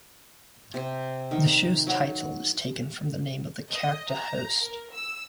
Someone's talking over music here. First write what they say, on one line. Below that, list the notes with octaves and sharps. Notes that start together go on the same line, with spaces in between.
The show's title is taken from the name of the character host.
C3
D#3
F#3
D#5
A#5
A#4
E6